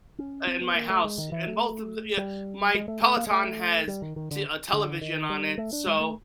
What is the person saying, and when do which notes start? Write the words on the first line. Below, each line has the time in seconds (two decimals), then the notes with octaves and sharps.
in my house, and both of the yeah, my Peloton has t a television on it, so
0.19 C#4
0.47 C4
0.61 B3
0.75 A#3
0.90 A3
1.04 G#3
1.18 D#3
1.32 E3
1.47 A3
2.17 G3
2.75 G#3
2.88 A3
3.02 A3
3.17 A#3
3.27 G#3
3.31 A3
3.88 G3
4.02 D#3
4.16 D#3
4.31 D3
4.73 D3
5.01 D#3
5.30 G3
5.58 A3
5.73 D4
5.86 G#3
6.00 A3